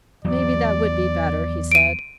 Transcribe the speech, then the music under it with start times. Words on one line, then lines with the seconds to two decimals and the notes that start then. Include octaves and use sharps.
"Maybe that would be better," he said.
0.25 E2 F#3 D5
1.71 D7 D#7